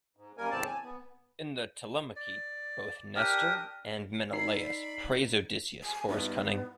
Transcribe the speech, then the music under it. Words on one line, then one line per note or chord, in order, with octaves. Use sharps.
In the "Telemachy" both Nestor and Menelaus praise Odysseus for his cunning.
G#2
F#2 G3 A#3 A#4 G#5
E2 A2 C#3 C4 D5 A5
G#5
B3
D5
D4 G4 A#4 D#6
D#4 D5 B5 C7
G#5
G2 B3 D#4 E4